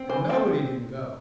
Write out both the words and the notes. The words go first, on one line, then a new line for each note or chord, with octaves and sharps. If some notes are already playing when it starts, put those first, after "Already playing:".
And nobody didn't go.
Already playing: C4
E3 C5
C4 A4